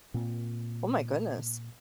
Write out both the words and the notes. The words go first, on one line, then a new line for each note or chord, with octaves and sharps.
Oh, my goodness.
A#2 A#3 C4